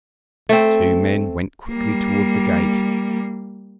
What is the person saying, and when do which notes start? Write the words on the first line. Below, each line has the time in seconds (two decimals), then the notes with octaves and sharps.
The two men went quickly towards the gate.
0.49 A3 C4
1.69 G3 A#3